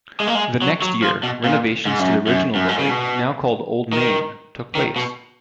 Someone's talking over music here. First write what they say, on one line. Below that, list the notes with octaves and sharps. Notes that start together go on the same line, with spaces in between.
The next year, renovations to the original building, now called Old Main, took place.
G#3
A#3
G#3
F#3
F#3
F3
B2
A#2
G#2
F#2
F#2
F#2
G#2
C#3
B2
D#3
D#3
B2